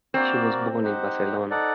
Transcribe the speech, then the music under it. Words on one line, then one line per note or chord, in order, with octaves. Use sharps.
She was born in Barcelona.
A#3 C4 F#4 A#4 D5
D#4 G4 C5 F#5
D#4 A4 D5 F#5